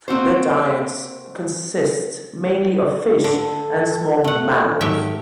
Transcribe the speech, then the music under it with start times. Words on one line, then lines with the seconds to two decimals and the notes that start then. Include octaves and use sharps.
Their diets consist mainly of fish and small mammals.
0.08 A#3 C4 F#4 C5
3.24 D3 A4 A5
4.24 A3 F#5
4.81 G#2 D#3 F#3 G4 E5